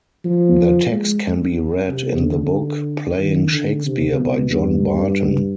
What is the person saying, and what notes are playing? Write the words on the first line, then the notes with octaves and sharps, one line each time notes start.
Their text can be read in the book "Playing Shakespeare" by John Barton.
F3
G#3
C3
D3
D#3
D3
C3
B2
G2